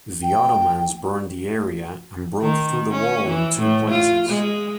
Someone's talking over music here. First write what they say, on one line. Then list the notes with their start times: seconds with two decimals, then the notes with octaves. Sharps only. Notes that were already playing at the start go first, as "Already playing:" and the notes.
The Ottomans burned the area and broke through the wall in two places.
0.23 G5
2.42 D#3
2.92 C#4
3.27 E3
3.59 A2
3.90 F4
4.29 G#3